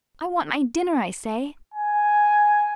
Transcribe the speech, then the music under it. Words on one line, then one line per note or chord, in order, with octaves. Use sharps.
"I want my dinner, I say."
G#5